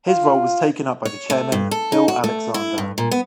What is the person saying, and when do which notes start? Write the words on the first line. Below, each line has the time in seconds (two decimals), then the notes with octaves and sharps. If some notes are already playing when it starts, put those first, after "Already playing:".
His role was taken up by the Chairman, Bill Alexander.
0.08 F4
1.05 C#5
1.30 A3
1.52 G2
1.71 A4
1.92 D#4
2.08 F#4
2.24 A3
2.54 E4
2.78 G2
2.98 A#2
3.11 B3